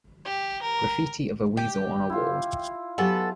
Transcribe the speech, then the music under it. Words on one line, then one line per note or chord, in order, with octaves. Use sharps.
Graffiti of a weasel on a wall.
G4
A#4
G4
E4 F4
F#3 B3 G4 A4 G#5